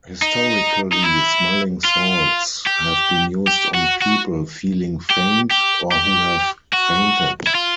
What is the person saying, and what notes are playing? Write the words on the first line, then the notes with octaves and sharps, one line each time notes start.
Historically, smelling salts have been used on people feeling faint, or who have fainted.
D#4
D#4
E4
F4
G4
G4
F#4
F#4
G4
G4
G4
F#4
E4
F4